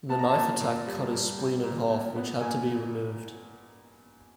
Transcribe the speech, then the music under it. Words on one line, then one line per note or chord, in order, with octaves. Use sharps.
The knife attack cut his spleen in half which had to be removed.
B3 A5
A#5
A5
A#2
A#2
G3
G3
G3
A#2
A#2
B3
A#2 G#5